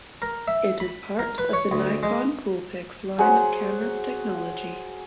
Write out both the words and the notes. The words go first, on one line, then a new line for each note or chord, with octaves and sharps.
It is part of the Nikon Coolpix line of cameras Technology.
A#4
E5
B5
A#4
B4
C#5
D2
G#3
F#3 G#4 C5 F#5